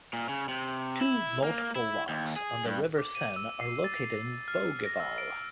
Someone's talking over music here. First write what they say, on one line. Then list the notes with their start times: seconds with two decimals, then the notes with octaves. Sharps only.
Two multiple locks on the River Seine are located in Bougival.
0.13 A#2
0.29 C#3
0.48 C3
1.01 E4
1.43 A#3
1.75 E4
2.09 D#2
2.36 G#4
2.65 G2
2.98 D6
3.15 D#7
3.36 E6
3.61 C7
3.84 A6
4.48 F6
4.86 A#6
5.00 E6
5.18 D7